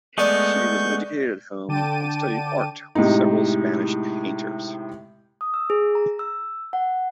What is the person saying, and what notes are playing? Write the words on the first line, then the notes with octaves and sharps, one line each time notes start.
She was educated at home and studied art with several Spanish painters.
G#3 A3 B3 D5 D#5 C#6 G6
D3 G5 A5 D6 D#7
A2 C3 G#3 D#4
D#6
E6
G#4
A#5
E6
F#5